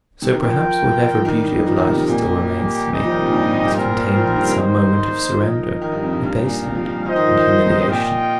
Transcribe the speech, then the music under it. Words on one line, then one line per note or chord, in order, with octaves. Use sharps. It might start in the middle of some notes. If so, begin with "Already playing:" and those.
So perhaps whatever beauty of life still remains to me is contained in some moment of surrender, abasement, and humiliation.
C3
D#3
F3 F4 A#4 G5
F3
D#3 G3 D#4 A#4 D#5
F3
D#3
C3
C3
A#2 G3 A#3 G4 D#5
G3 D#4 G4 C5 D#5
F3
D#3
C3
A#2
G2
A#2
A#2
G2
A#2 G3 C4 F4 A#4
A#2
F3
D#3
G2
C3
D#3 A#3 D#4 C5
F3 A#3 D#4 A#4 D#5
D#3
G2
F2
G2
G2 D#4 A#4 F5
A#2
C3
F3
F3
G3
F3 D#4 C5 D#5
D#3
F3
D#3
F3
F3
D#3
C3
A#2 F4 D#5 G5